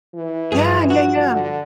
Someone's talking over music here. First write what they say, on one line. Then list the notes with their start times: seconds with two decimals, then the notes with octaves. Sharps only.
yeah, yeah, yeah,
0.15 E3
0.52 G2 F3 G#4
0.90 F#4
1.30 D3